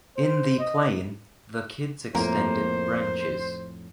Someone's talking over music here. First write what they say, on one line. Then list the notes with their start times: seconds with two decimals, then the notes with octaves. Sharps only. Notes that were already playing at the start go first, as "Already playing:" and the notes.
In the plain, the kids extended branches.
0.17 C5
0.59 D#5
2.15 F2 A2 A#3 A#4 C5